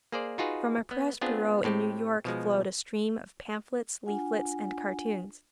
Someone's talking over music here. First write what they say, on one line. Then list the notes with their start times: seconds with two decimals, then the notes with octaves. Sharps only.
From a press bureau in New York flowed a stream of pamphlets, leaflets, and cartoons.
0.12 A#3 G#4 C5 D5
0.38 D#4 F4 F#4 G#4 B4
0.91 B3
1.21 B3 C4 D4 F4 G#4
1.64 A2 C4 G4
2.25 B2 F3 G#3
4.06 D4 F4 F#5 G#5